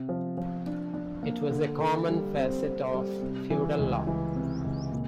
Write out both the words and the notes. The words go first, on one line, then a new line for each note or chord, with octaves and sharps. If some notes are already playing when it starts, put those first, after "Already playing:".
It was a common facet of feudal law.
Already playing: C3
F3
F3
D4
D4
A#3
D3
D3
G3
C4
C4
G3
C3
E3
C#2
E3
C3
C#2
A#2